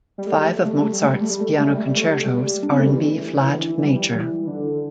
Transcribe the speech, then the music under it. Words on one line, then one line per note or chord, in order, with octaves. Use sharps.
Five of Mozart's piano concertos are in B-flat major.
G3
A3
G3
A3
G3
A3
G3
A3
G3
A3
G3
A3
G3
A3
G3
A3
G3
A3
G3
A3
G3
A3
G3
D4
C4
A3
G3
E3
E3
D3
E3
E3
G3
E3
D3